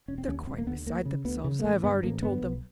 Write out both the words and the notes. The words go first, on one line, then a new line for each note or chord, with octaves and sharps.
"They're quite beside themselves; I have already told them..."
E1 C#4
C4
D#2 D3 C#4
E1 C4
A#3
D#2 D3 B3
D2 A#3
C#3
D2 B3
C#3
A#3
A1 A3
G2 D3 B3
A1 A#3
G2 D3 B3
B1